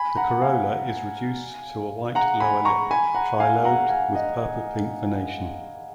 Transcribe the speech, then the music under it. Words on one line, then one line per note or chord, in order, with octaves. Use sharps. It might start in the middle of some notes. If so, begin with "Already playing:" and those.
The corolla is reduced to a white lower lip, trilobed, with purple-pink venation.
Already playing: G#5 B5
F#5 A#5
F5 G#5
F#5 A#5
G#5 B5
A#5 C#6
G#5 B5
F#5 A#5
F5 G#5
F#5 A#5
F5 G#5
D#5 F#5